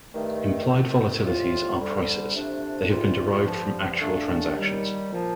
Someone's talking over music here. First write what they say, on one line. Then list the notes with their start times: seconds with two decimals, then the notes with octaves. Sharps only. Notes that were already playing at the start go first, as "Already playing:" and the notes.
Implied volatilities are prices: they have been derived from actual transactions.
0.12 G2 D#3 A3
0.68 F2 D#3 A3 C4
1.23 A2 G3 C4 F4
1.79 D2 D3 G3
2.34 C2 C3 F3 A3 D4
2.89 D2 C3 G3 A#3 F4
3.45 G2 D3 F3
4.00 A#2 A3 D4
4.56 D#2 D#3 G3
5.12 A#2 F3